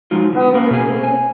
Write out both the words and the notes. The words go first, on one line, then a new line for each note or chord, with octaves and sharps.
Oh, really?
F3 F#3 G#3 D#4 F4
D3
A#3 C#4 A#4 B4 F5
B2 B3 G#4 B4 G#5
A3
G#5